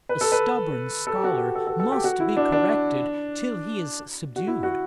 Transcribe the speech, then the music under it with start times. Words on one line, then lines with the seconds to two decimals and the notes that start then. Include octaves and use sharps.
A stubborn scholar must be corrected till he is subdued.
0.09 B4
0.21 A4
0.32 B4
1.07 A4
1.16 G4
1.24 F#4
1.33 G4
1.55 A4
1.67 A4
1.80 A4
1.92 G4
2.04 F#4
2.20 E4
2.37 D4
2.52 D4
4.36 F#4
4.47 E4
4.63 F#4